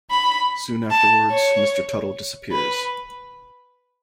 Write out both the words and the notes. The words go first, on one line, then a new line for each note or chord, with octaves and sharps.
Soon afterwards, Mr. Tuttle disappears.
B5
A5
C#5
B4